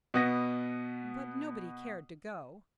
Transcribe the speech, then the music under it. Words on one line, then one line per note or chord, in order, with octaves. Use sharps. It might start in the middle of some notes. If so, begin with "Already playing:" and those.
But nobody cared to go.
B2 B3 A#6